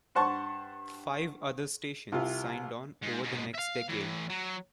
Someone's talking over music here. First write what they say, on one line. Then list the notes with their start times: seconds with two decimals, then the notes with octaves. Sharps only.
Five other stations signed on over the next decade.
0.15 G2 C5 F#5 A5 C#6
2.12 C2 C3 F4
3.02 G#2
3.23 G#2 B2
3.54 E5 F5
3.89 A2 E3
4.30 F#3